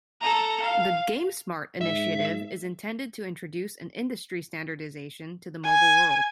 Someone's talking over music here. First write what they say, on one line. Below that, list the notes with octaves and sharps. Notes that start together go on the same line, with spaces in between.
The "GameSmart" initiative is intended to introduce an industry standardization to the mobile world.
A4 A#5
F5
G#2 E5
G#5